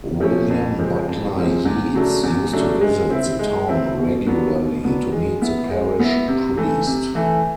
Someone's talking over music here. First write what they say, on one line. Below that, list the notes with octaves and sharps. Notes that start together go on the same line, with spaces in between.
William Butler Yeats used to visit the town regularly to meet the parish priest.
F3 A3 C#4
F2
C3 F3 G#3 C4
F2
C3 F3 G#3 C4
E2
C#3 F#3 A3 D4
E2
C#3 F#3 A3 D4
G#3
C4 E4
G#3
C4 E4
B2
F#3 B3 D4
B2
F#3 B3 D4
G#3
B3 E4
G#3
B3 E4
C3
E3 A3
C3
E3 A3